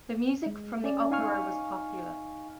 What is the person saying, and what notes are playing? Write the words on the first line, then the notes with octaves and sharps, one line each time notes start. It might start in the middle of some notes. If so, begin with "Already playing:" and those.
The music from the opera was popular.
G#3
C#4 D5
D#4 F5 G#5 C#6 F6